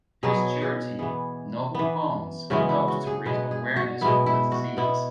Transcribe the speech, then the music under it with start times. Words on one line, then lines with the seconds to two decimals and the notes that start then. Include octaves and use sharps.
His charity, Noble Bones, helps to raise awareness for the disease.
0.23 B2 F#3 B3 G#4
0.61 G#4
0.99 E3 B3 G#4
1.75 E3 B3
2.50 C#3 E3 G#3 B3 F#4
2.69 E4
2.88 F#4
3.07 G#4
3.26 B2 G#3 B3 B4
3.51 G#4
3.76 F#4
4.01 B2 G#3 B3 E4
4.26 E4
4.52 F#4
4.77 B2 B3 E4